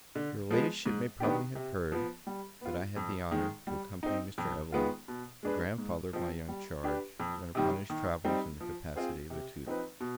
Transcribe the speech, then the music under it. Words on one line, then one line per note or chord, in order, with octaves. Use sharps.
Your Ladyship may probably have heard, that I had the honour to accompany Mr. Evelyn, the grandfather of my young charge, when upon his travels, in the capacity of a tutor.
D3
F3 G#3 B3
G#2
D#3 B3 D4 G4
C3
F3 B3
G3
B3 F4
F2
D#3 G#3
G3
C4 D#4
F2
D#3 G#3 B3 F4
B2
G#3 D4 G#4 B4
G#2
F3 C4
G3
D4 G4 B4
F2
C3 D#3 G3
D#3
G3 C4 D#4
F3
C4 F4 G#4 C5
C3
F3 C4 D#4 B4
B2